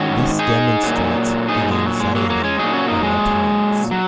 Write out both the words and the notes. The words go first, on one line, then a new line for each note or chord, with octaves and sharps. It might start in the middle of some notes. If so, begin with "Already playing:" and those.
This demonstrates the anxiety of our times.
Already playing: G#2 D#3 C#4 F#4
D#4 G#4
A#2 F#3
D#4 G#4
G#3
F#3
G#3
F#3 A#3
F#3 A#3
G#3 C#4
A#2 F#3 D#4 G#4
C#4 F#4
A#3 D#4
G#3
F#3